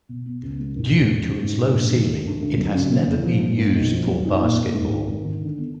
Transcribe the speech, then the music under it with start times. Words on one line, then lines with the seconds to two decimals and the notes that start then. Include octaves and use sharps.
Due to its low ceiling, it has never been used for basketball.
0.09 B2
0.26 B3
0.43 C#2
0.59 G#3
0.75 D#2
0.92 E1
1.09 E1
1.25 C#3
1.42 G#2
1.59 G#3
1.75 A#1
1.91 D#3
2.08 D3
2.25 D2
2.42 D2
2.58 F#3
2.74 C#3
2.91 A#3
3.07 E2
3.24 F3
3.41 A#2
3.58 A#3
3.75 B1
3.92 F3
4.07 F#3
4.25 D#4
4.42 A#2
4.58 A#3
4.74 G#2
4.91 G#1
5.07 G#1
5.25 D#3
5.41 D3
5.58 B3